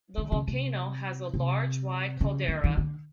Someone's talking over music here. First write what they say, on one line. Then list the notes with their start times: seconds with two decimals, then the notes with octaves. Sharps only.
The volcano has a large wide caldera.
0.18 D3
0.32 C#3
0.48 C3
1.34 C3
2.21 C#3
2.48 D3
2.64 D#3
2.77 D3